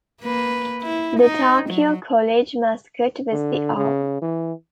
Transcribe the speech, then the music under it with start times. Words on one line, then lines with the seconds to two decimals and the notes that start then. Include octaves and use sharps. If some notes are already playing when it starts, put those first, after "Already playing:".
The Tarkio College mascot was the owl.
0.21 A#3 B4
0.82 E4
1.20 D#4
1.69 F#3
3.32 D3
3.76 C#3
4.22 E3